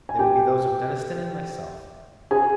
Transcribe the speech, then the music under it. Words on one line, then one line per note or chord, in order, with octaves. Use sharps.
They will be those of Deniston and myself.
G#5
G4 G5
G#4 G#5